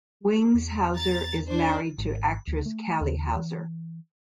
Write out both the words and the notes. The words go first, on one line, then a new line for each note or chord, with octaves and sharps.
Wings Hauser is married to actress Cali Hauser.
E2
A#5 A6
D4 C5
G#1
D2
A3
D#2
E3